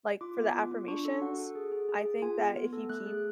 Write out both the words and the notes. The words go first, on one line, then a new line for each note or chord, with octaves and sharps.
like, for the affirmations, I think that if you keep,
F4 D6
B3
F4
F4
D4 C#6
A4
F#4 F#5
A4
G#4
G#4
G#4
G#4
F4 G#5
B3
B3
A4
A3 F#6
G#4